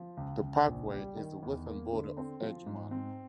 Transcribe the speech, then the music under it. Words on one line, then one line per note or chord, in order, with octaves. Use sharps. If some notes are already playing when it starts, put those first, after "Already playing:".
The parkway is the western border of Edgemont.
Already playing: F3
C#2
C#2
A#1
G3
D#3
E2
A#3
D3
C4
F3
G#2
C4